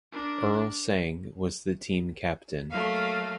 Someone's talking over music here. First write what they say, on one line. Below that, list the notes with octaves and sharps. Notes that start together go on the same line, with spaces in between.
Earl Sang was the team captain.
D4 A#4
F#3 A3 A#3 F5